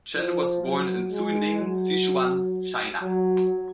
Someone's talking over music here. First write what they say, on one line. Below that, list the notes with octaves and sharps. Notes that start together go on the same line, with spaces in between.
Chen was born in Suining, Sichuan, China.
F3
F#3
G#3
F#3
F#3